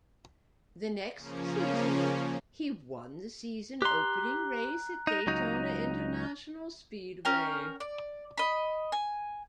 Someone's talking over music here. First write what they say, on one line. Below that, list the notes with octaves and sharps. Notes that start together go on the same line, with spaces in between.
The next season, he won the season opening-race at Daytona International Speedway.
C#3 F3 A#3 C#4
G4 A#5 C6 F#6
D#4 A#6 D#7 F7
C#2 F#3 D#4
C#4 A#4 G5
D5
D#5 B5
G#5